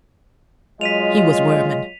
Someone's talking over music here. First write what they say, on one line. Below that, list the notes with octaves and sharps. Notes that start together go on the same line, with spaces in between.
He was wermin!
F#3 G#3 F4 C#5 D#5 B6 D#7 F7